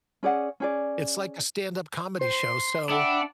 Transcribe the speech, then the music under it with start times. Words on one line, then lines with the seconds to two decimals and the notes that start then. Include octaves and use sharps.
It's like a stand-up comedy show, so,
0.23 C#4 G#4 D5 F#5
0.60 C#4 G#4 D5
2.21 C5 C6
2.90 D4 E5 F#5 G5 B5